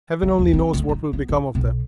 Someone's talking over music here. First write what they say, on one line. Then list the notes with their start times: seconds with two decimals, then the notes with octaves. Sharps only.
Heaven only knows what will become of them...
0.23 E3
0.38 D#2
0.53 C4
0.73 D2
0.89 D#4
1.13 B3
1.29 E4
1.55 B1